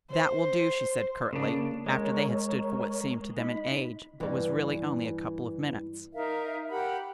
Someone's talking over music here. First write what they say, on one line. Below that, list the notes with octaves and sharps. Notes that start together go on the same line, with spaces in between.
"That will do," she said curtly, after they had stood for what seemed to them an age, but was really only a couple of minutes.
C5
C#3 A#3 D4
G#3 A#4 C#5
D#4 B5
G2 E3
D#4 A#4 E5 F5
G4 A#4 F#5 B5